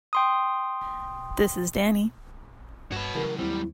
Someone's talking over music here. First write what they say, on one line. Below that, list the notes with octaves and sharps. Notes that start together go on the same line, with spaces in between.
This is Danny.
G5 C6 D#6
G2 F#4 B4 C#5 A5
A2 C#3 E3 F#3 G3 A#4
D#2 G3 C4 E4